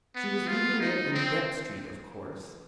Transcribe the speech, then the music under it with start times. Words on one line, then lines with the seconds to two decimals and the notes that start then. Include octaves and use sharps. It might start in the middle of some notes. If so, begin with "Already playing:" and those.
She was leaving it in Brett Street, of course.
0.15 B3
0.48 F4
0.81 D#4
1.14 C4